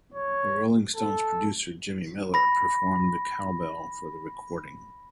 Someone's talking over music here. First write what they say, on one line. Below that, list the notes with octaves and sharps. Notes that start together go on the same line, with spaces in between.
The Rolling Stones' producer Jimmy Miller performed the cowbell for the recording.
C#5
A4
B5 A#6